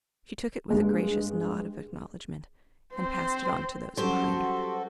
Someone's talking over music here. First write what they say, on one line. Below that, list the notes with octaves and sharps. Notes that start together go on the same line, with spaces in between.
She took it with a gracious nod of acknowledgment, and passed it on to those behind her.
G2 G#3
C4 C5
F#3 G3 C#4 F#4 G4 A4 C5